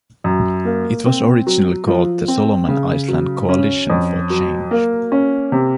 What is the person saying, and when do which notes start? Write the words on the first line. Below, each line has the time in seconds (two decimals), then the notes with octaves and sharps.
It was originally called the Solomon Islands Coalition for Change.
0.24 F#2
0.65 A#3
1.06 C4
1.47 F#3
1.87 F3
2.28 C4
2.68 C#3
3.08 F#3
3.49 C#4
3.90 F2
4.30 F#3
4.71 A#3
5.12 C#4
5.52 C3